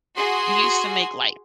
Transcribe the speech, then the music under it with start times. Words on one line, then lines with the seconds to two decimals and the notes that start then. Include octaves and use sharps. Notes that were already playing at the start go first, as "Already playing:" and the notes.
He used to make, like
0.15 F#4 G#4 C6